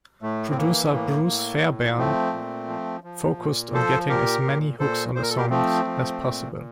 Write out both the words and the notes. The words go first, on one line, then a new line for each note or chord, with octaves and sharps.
Producer Bruce Fairbairn focused on getting as many hooks on the songs as possible.
A2 A3
C4
E3 A#3
A2 A#3
A2
A2
F3 A3 C4
A#2
F3
F3
A#2
F3 A4 C5
A#2 G4 A#4
A#2
A#2 A4 C5
A#2 C5
A#4
A4
G4 A#4
F3 A3 C4
F3
A#2
A#2